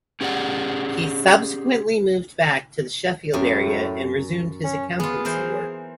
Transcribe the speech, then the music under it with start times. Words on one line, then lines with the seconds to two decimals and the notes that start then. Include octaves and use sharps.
He subsequently moved back to the Sheffield area and resumed his accountancy work.
0.21 C#4 G4 G#4 D5 F#5
3.34 F#2 A2
4.65 C#4
5.00 B3 F4 G#4
5.25 E3 A#4 C5